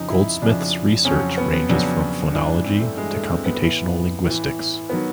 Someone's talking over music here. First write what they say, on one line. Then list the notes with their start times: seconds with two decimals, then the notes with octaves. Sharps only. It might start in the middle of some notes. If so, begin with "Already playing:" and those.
Goldsmith's research ranges from phonology to computational linguistics.
Already playing: F2 C#3 F3 D#4
0.09 E4
0.42 F2 C#3 F3 D4
1.05 F2 C#3 F#3 C#4
1.38 B3
1.53 B3
1.69 F2 C#3 F#3 D4
2.33 G2 E3 D4
2.66 C4
2.81 A3
2.97 G2 E3 G#3
3.13 A3
3.30 C4
3.46 B3
3.61 A2 E3
4.25 A2
4.30 E3
4.89 D#3 F#3 B3